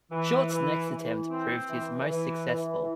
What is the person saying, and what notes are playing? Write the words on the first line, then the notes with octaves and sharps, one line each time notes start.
Short's next attempt proved his most successful.
E3
E3
E3
C4
E3
E3
E3